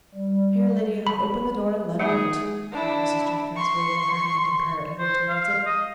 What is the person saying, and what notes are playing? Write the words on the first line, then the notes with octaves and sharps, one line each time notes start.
"Here, Lydia, open the door and let him out," cried Mrs. Jenkins, waving her hand imperatively towards it.
G3
B5
G#3 A#3 D#4 G#4
D4 E4
C6 C#6
C5
F5
D#5